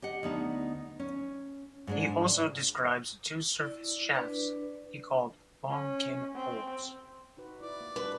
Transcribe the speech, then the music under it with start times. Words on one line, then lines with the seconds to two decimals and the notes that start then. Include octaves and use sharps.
He also describes two surface shafts he called ""Long Kin Holes"".
0.02 G4 D#5 F#5
0.23 D2 B3 D#4
0.99 C#4
1.87 G#2 G#3 D4
3.60 E4 D5
4.14 D4 B4 D5
5.70 C#4
6.35 C4
7.37 D#4 F#4 B4
7.61 E4 B4 D5
7.81 A#3
7.96 G3 D4 F#4 B4